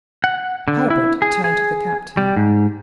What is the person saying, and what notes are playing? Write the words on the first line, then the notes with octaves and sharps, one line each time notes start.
Herbert turned to the Captain.
F#5
D3
E4
G#4
G#4
G3
G#2